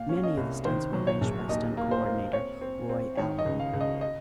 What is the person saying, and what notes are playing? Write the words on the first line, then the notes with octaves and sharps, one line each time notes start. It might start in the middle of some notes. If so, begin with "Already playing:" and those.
Many of the stunts were arranged by Stunt coordinator Roy Alon.
Already playing: A#2 F5
C#4
D#5
C2
D#3 C5
F#3
C#5
A#1
D#2 D#5
A#3
C5
A#3
C4 C#5
C4
C4
D#3 C#5
D#5
C#2
F5
C#2
D#5
D#5